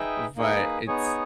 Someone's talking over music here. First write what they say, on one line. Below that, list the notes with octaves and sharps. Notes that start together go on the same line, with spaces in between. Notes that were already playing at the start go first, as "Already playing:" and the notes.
but it's
Already playing: D#4 G#4 B4 E5 G5
A#3 D#4 G#4 B4
B3 D#4 G#4 C#5